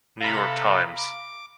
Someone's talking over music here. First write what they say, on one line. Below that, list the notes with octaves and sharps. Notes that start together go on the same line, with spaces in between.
New York Times.
C3 A4 F5 A#5 B5
D6